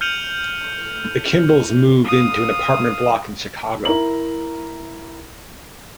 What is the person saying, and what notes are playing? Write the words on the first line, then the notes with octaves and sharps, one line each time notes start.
The Kimbles move into an apartment block in Chicago.
F6 G6 C#7 D#7 F7 F#7
F5 D#6
E4 A#4 A#5 F#7